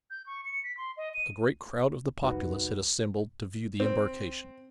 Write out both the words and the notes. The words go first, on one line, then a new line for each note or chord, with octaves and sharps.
A great crowd of the populace had assembled to view the embarkation.
G6
C#6
C#7
B6
C6
D#5
D#7
C2 F2 G3 D#4 F#4 B4
C4